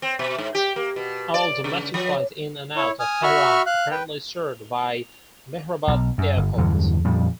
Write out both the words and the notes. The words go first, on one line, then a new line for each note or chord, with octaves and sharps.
All domestic flights in and out of Tehran are currently served by Mehrabad Airport.
C4
B2
G#2
G4
A#3
B2
D5
C#3
F3
E4 C#5
G#5 D#6 F6
F#4 E5 B5 C#6 F6
F5 F#6
B4 G5
B1
F#2
G1
E2 G2 D3 F#3
F2 A#2 G3